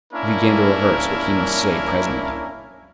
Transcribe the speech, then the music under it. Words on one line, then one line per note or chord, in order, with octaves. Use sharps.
He began to rehearse what he must say presently.
A#3 C#4 D4 E4 A#4